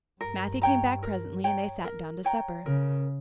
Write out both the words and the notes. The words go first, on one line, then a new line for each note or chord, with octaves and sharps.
Matthew came back presently and they sat down to supper.
G2 A#4
C#5 G5 A#5
A#4
C#5 G5 A#5
A#4
C#5 G5 A#5
C#3 A#4